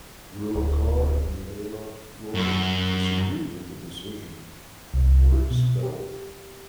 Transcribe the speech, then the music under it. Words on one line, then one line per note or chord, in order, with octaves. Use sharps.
Ruikar and Leela Roy disagreed with the decision, and were expelled.
D1
F#2
C2
E4
B2
G4